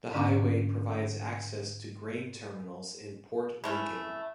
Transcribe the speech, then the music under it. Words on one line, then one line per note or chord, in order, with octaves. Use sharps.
The highway provides access to grain terminals in Port Lincoln.
G#2 D3 C#4 D4 F5 A#5
E3 A3 C#4